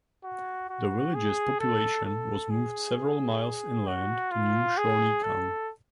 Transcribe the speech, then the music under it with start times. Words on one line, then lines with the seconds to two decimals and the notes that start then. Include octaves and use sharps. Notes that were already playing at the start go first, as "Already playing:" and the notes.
The village's population was moved several miles inland to New Shawneetown.
0.24 F#4
0.69 F#4
1.14 G#4
1.60 A4
2.05 A4
2.50 G#4
3.87 F#4
4.32 F4
4.78 G#4
5.23 A4